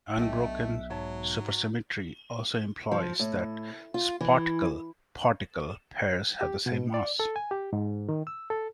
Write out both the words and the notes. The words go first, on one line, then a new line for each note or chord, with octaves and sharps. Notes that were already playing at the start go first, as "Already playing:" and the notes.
Unbroken supersymmetry also implies that sparticle-particle pairs have the same mass.
B1 B2 A3 D4 D#5 E5 G5
G#2 F#3 C#5 E5 A5
F3
A2
F4
E3
G4
B2
D5
A4
G#5
G4
G#2
D#3
E6
A4